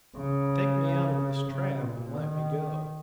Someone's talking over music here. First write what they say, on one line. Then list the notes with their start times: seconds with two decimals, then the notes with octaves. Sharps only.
Take me out of this trap and let me go.
0.17 C#3
1.50 C#3
1.84 A#2
2.17 D#3